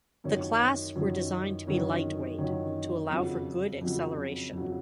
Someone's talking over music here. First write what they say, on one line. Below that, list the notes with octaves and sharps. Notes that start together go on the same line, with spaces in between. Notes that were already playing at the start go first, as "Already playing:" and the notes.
The class were designed to be lightweight to allow for good acceleration.
F#2 D#3 F#3 C#4
F#2 D#3 F#3 C#4
F#2 D#3 F#3 C#4
F#2 D#3 F#3 C#4
F2 C#3 F#3
F2 C#3 F#3
F2 C#3 F#3